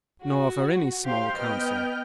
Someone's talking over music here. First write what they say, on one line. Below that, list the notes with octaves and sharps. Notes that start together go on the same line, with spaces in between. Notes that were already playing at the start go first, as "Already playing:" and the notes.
Nor for any small Council.
F#4
G4 C5 F5 G5 C6
B3 D#5 G5 F6